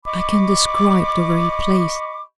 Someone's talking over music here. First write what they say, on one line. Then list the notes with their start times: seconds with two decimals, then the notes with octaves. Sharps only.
I can describe the very place.
0.06 D#5 B5 C#6 D6